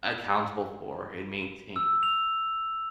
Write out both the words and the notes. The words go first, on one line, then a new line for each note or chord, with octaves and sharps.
accountable for and maintain.
E6
F7